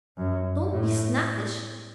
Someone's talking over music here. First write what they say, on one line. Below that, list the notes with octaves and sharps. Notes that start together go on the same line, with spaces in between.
Don't be snappish.
F#2
A2